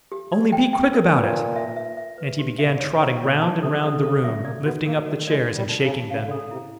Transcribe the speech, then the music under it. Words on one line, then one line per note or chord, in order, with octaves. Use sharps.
"Only be quick about it!" And he began trotting round and round the room, lifting up the chairs, and shaking them.
G4
D5
G5
G5
A#4
A#2 B4
D#4
E5
E5
E5
B4
G4
E5
G#2 C#5
A2 C#5
A#2 C#5
B2 A5
C3 A4
C#3 A4
C#3 A4
F#3 E5
A#3 D5
B3 F#4
A#3 A#4
A3 F#4
G#3 D5
F#4
G3
D#4
C#3
D#4
C#3 F5
D3
C#3 A4
C3 E4